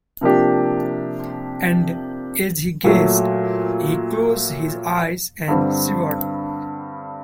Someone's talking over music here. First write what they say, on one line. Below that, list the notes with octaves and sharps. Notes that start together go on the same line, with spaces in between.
And, as he gazed, he closed his eyes and shivered.
C3 F3 A#3 D4 G4
A#2 F#3 A3
G2 D3 G3 C4